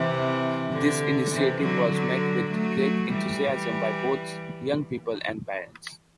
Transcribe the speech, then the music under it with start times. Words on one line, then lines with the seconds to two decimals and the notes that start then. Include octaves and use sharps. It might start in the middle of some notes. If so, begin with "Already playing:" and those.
This initiative was met with great enthusiasm by both young people and parents.
Already playing: C3 E3
0.73 D3
1.32 C3 E3
1.62 D3 F#3
1.91 D3 F#3
2.51 F#3 A3
3.10 E3 G3